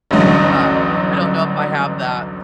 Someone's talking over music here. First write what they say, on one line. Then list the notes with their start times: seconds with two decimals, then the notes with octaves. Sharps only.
uh, I don't know if I have that
0.11 A1 D2 G2 F#3 D#5